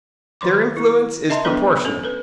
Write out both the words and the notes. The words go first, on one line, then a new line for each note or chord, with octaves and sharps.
Their influence is proportionate.
D#3 F#3 C6 D6
E4
D#5 E5 A5 A#5 C6
F#3 B3 D4 A4 B4
C#4 A4
A4 B4